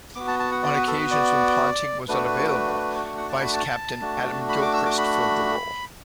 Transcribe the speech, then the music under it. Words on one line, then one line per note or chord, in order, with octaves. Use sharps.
On occasions when Ponting was unavailable, vice-captain Adam Gilchrist filled the role.
B3 F#4 D6
A5
A5
F#5
D5
B4
A4
B4
D5
A3 D4 F#4 B4
F#5
F#5
A5
B5
A5
A3 D4 F#4
B5
D6
E6
D6
B5